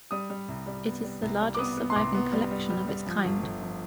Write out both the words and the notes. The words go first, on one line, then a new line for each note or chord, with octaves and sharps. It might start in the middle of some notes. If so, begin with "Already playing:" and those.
It is the largest surviving collection of its kind.
G3 D#6
G3
C2
G3
B3
G3
C2
G3
D6
B3 D#6
B3
C6
C2 D6
B3
G3
G3
G3
G3
F3
G1
G1
F3